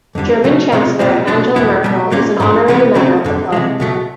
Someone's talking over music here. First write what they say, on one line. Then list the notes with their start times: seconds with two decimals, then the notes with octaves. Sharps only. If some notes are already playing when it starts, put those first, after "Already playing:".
German Chancellor Angela Merkel is an honorary member of the club.
0.15 F2 D3 G3
0.44 C#3 F#3 A3
0.72 C3 F3 G#3
0.99 C2 A#2 F3 G#3 C4
1.27 C2 B2 F#3 B3 D4
1.56 E2 B2 F#3 B3 E4
1.84 B1 B2 G3
2.12 A#2 G3 A#3 C#4
2.40 G#2 F3 A3 D4
2.68 C3 E3 G3 B3
2.95 C#3 F#3 A3 C4 D#4
3.25 F2 D3 G3
3.52 C3 E3 G#3
3.80 C#2 B2 F#3 A3